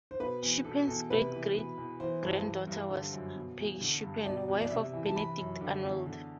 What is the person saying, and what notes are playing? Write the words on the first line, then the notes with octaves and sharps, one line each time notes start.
Shippen's great-great-granddaughter was Peggy Shippen, wife of Benedict Arnold.
C5
B2 B4
E2
B2 A4
E2 A4
C3 B4
E3
B2
E2
E3 C5
G2
E3
G2
D3
F#2
B2
E2
D3
G2
B2 D5
E2
D5
C3 E5
E3
A5
E3 B5
F#2
D3
E2
D3